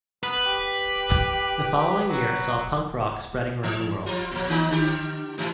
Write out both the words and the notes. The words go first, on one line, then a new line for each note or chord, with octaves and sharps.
The following year saw punk rock spreading around the world.
B3 B4
G4
F#3
E3
F3 G3 F4
A2 F3
D#3 A#3 D#4
D3 G4
G#2 C3 E3